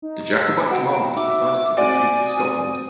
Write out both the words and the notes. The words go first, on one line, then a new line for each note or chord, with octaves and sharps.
The Jacobite commanders decided to retreat to Scotland.
D#4
E6
F#4 G5
E5 D6
C4 F#4 D5 G#5 D6
D#6